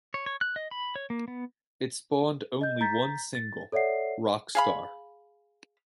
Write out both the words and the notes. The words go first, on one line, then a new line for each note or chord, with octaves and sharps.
It spawned only one single: "Rockstar".
C#5
C#5
F#6
D#5
B5
C#5
A#3
B3
D#5 G6
A#5 G6 A6 B6
A6
A4 C#5 D5 E5 F#5 C7
G#4 F5 B5